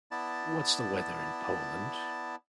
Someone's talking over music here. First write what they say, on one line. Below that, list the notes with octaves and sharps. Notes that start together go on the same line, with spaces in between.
What's the weather in Poland?
B3 E4 D5 A5